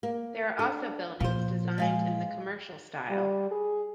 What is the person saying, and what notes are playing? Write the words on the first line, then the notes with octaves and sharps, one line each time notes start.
There are also buildings designed in the Commercial style.
A#3
D4 A4
A#2 F3 F4 C5
G#3 F5 G#5
G3
G#4